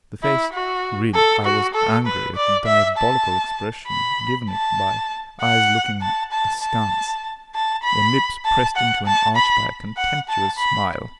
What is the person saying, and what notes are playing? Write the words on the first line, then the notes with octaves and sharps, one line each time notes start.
The face--really, I was angry at the diabolical expression given it by eyes looking askance, and lips pressed into an arch by a contemptuous smile.
E4
F#4
A4
F#4
A4
B4
D5
E5
A5
B5
A5
F#5
A5
A5
A5
A5
B5
A5
F#5
A5
B5
F#5
A5
B5